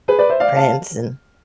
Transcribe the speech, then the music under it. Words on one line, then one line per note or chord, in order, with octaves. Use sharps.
Prince and,
G#4 B4
B4 D5
C5 E5
D5 F5
F5 A5